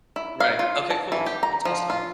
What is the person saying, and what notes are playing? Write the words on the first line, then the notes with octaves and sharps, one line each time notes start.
Right. Okay. Cool. That's awesome.
E4
F5
F4
A5
E3
G4
A#5
F3
F4